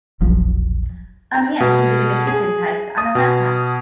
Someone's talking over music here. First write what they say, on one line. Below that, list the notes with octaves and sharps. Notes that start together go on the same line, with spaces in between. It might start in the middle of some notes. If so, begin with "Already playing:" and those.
A man seated in a kitchen types on a laptop.
E1 A#1 F3 F#3
A#5
B2
G#4
D#6
B2